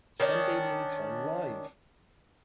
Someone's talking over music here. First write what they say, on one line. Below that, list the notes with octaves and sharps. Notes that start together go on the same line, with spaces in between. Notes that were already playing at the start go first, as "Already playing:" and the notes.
Sunday Noontime Live!
D#3 C#4 D4